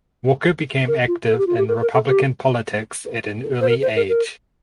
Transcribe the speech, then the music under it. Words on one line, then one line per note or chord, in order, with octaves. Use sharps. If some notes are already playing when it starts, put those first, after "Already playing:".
Walker became active in Republican politics at an early age.
A#4
F4
A4
G4
F4
G4
A#4
A#4
A4
G4
C5
A#4
C5
A#4
A#4